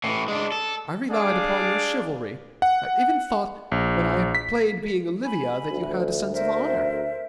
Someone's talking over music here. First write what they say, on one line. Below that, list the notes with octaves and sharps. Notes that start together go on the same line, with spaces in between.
I relied upon your chivalry; I even thought, when I played being Olivia, that you had a sense of honor.
A2 E3
G#3 D4
A4
D4 G#4 D5 F5 D6
F#5
A#1
B6
G#5 B5
D2
A#4 C5 E5